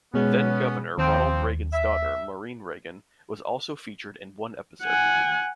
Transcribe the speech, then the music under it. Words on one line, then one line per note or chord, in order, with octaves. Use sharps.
Then-Governor Ronald Reagan's daughter, Maureen Reagan, was also featured in one episode.
B2 G#3 B3 C#4
D#2 F3 C4
E5
F#5 G#5